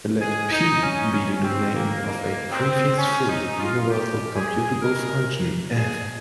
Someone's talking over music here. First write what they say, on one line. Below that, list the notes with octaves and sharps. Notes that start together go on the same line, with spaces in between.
Let "P" be the domain of a prefix-free universal computable function "F".
G#2 D#3 G#3 G#4
D#4
C#4
C3 G3 C#4
C4
A#3
G2 F3 G#3 A#3
C4
A#2 G#3 C#4
D#4
F4
G2 F3 G#3 G4
G#4
G2 D#3 G#3 A#4
G2 F3 G#3 G#4